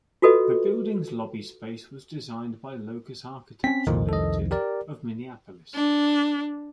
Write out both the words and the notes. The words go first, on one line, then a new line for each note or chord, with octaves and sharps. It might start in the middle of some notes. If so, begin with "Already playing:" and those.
The building's lobby space was designed by Locus Architecture, Limited, of Minneapolis.
F4 F#4 A4 B4 D#5
C4 C#4 B6
C2 F2 A#2 D#3
A4 D#5
G4 A#4 D5
D4